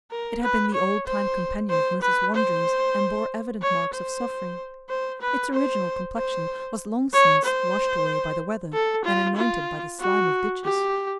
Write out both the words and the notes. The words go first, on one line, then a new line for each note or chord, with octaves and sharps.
It had been the old-time companion of Mliss's wanderings, and bore evident marks of suffering. Its original complexion was long since washed away by the weather and anointed by the slime of ditches.
A#4
B4
C#5
C5
C5
B4
C5
C#5
C5
C5
B4
C5
C5
C#5
C5
A4
F4
F4
F#4
G4